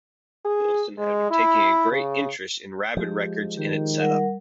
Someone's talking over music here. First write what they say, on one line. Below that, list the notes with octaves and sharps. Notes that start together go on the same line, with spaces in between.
Wilson had been taking a great interest in Rabid Records and its set up.
G#4
G#3
E4
C#3
F3 G#3 G4
D#3 G4
G3 A#4 F#5